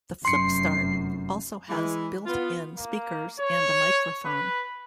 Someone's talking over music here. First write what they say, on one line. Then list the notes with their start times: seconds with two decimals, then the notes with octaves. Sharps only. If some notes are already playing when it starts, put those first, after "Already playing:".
The FlipStart also has built in speakers and a microphone.
0.25 F1 F#2 C6 C7 C#7
1.69 E3 G#3
2.26 B3 F4
2.78 A#3
3.40 C#5
4.26 B4